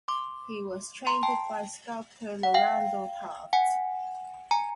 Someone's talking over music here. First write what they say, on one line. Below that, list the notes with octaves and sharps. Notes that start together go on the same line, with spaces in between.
He was trained by sculptor Lorado Taft.
C6 D6
A#5 C6
G5 A5
F#5
F5 G5
F#5 G#5
G#5 A#5